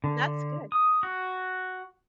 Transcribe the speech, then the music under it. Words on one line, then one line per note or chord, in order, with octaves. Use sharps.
That's good.
D3
D#6
F#4